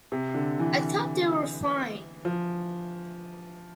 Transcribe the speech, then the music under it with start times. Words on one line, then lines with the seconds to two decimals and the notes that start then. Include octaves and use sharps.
I thought they were fine.
0.12 C3
0.34 D3
0.59 E3
2.25 F3